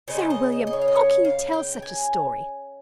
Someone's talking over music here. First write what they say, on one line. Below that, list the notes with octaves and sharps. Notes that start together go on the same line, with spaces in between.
Sir William, how can you tell such a story?
C#3 G#3 D#4 C5
D#5
D#5
D#5
C#5
F5
D#5
C#5
F5
G5
G5
G#5